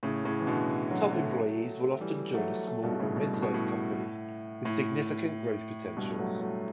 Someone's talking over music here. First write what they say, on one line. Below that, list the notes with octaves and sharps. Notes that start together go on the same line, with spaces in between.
Top employees will often join a small or mid-size company, with significant growth potentials.
A2 C#3
A2 C#3
E3
B2 D3
D3 F#3
F#3 A3
E3 G3
F#3 A3
F#3 A3
G2 B2
A2 C#3
G2 B2
A2
B2
A2
A2
G2 B2
F#3 A3
F#3 A3